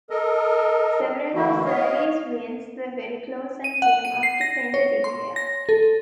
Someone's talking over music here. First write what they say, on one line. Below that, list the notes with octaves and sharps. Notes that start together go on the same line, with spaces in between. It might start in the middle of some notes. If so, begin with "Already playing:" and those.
Several of Surrey's wins were very close, and came after Fender declared.
A4 A#4 D#5
D3 E3 A3 A#3 E4 F#4
C#5 D#5 F5
D#7
F#5
D#7
C7
A#6
C#5
C6
A#6
A4